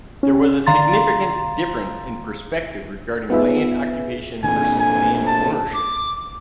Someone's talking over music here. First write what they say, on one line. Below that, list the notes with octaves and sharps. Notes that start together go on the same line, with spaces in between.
There was a significant difference in perspective regarding land occupation versus land ownership.
C#4
D3 F5 A#5 C6 A6
B3 D#4 F4 G#4 B4 E5
A#2 D3 E3 G#5
G#5
A5
D6